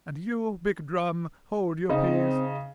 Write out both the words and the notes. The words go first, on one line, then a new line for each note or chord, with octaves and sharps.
And you, big drum, hold your peace!
C#3 C4 D#4